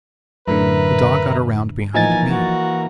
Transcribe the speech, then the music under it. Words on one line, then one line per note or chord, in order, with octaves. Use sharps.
The dog got around behind me.
F#2 A2 D3 A#4 B4 E5 A#5
E3 F3 A#3 D#4 G#5 A#5 A6
F#4